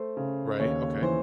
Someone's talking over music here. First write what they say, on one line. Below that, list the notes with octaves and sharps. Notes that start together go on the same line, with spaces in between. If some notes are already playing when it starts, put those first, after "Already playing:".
Right, okay.
Already playing: A3 C5
C#3
D#2 C#5
E3 C5